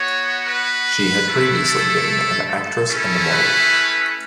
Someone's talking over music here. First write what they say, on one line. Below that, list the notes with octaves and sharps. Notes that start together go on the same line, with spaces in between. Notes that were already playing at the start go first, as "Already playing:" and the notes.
She had previously been an actress and a model.
Already playing: B3 F#4 C#5
B4
A3 E4
A4
A4
A3 C#4 E4
B4